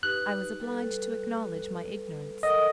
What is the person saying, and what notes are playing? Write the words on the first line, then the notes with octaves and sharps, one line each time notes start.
I was obliged to acknowledge my ignorance.
D#4 G4 B4 F#6
G3 A4 B4
A4 A#4 D#5 F#5